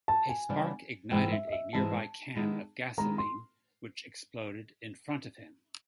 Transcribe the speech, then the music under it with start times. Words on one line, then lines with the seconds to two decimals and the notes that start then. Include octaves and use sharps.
A spark ignited a nearby can of gasoline, which exploded in front of him.
0.08 A5
0.29 G#5
0.49 C#3 E3 G3 B3 D4
1.11 G#2 E3 G#3 B3 E4 G5
1.32 E5
1.47 D#5
1.52 E5
1.73 G#2 E3 G#3 B3 E4 A5
2.35 D#3 G#3 B3 E4 G4
2.97 D#3 G#3 B3 E4 G4 A#5
3.18 C6